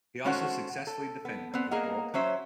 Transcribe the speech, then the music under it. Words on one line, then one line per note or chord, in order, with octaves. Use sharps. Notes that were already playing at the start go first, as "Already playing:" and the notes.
He also successfully defended his world title.
G#3 A3 C#4 F#4 C5 F#5
A4
B3
B3 C4
A#3 G#4 A#4 D#5 F#5
F#3 C#4 C5 E5